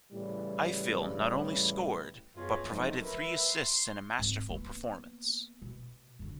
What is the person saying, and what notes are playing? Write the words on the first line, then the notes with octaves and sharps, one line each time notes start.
Ifill not only scored, but provided three assists in a masterful performance.
A2 C#3 E3 G3
F#2 B2 F4 G#4 C#5
F3 F#3 G#3 A3 C4 D#4
A#4 B4 E5
C6
G#2 C4
A#3 B3
B2
F#2 D3